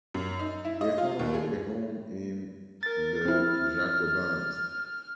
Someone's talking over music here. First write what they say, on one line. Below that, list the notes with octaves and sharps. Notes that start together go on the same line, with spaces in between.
They found a home in "Les Jacobins".
F#2
D#4
E4
D#5
F4
D#2
G#4
A#4 A6
C4 E4 F6